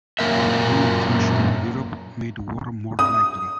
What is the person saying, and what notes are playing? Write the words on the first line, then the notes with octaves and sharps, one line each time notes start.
The growing tension in Europe made war more likely.
F#2 A#2 A#3 A#4 E5
D#6